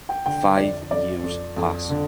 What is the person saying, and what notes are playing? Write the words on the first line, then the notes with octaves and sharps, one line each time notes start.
Five years pass.
G5
D3 G5
F2 D5
F2 D5
F2
F2
D3